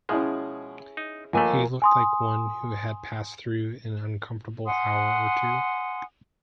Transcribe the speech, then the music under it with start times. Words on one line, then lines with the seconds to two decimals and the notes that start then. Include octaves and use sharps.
He looked like one who had passed through an uncomfortable hour or two.
0.09 B2 F3 G#3 C#4 E4 G#4
0.97 D#4
1.33 D#2 D3 F3 A3 A#3 G#5
1.82 G#5 C6 D#6
4.66 F#5 G#5 C6 D#6